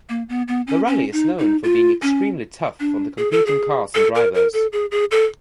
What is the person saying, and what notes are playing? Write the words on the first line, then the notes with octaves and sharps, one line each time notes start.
The rally is known for being extremely tough on the competing cars and drivers.
A#3
B3
B3
C#4
C#4
D#4
D#4
F4
C#4
D4
G#4
A4
G#4
A4
A#4
A#4
A4
G#4
G#4
A4